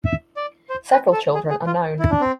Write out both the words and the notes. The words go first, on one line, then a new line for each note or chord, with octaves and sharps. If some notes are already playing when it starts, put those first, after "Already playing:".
Several children are known.
E5
D5
C5
B4
A4
G#4
G#4
F4
E4
D4
C4